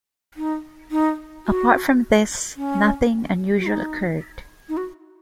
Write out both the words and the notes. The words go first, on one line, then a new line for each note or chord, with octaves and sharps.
Apart from this, nothing unusual occurred.
D#4
D#4
F#4
C#4
F#4
D#4
D#4
F#4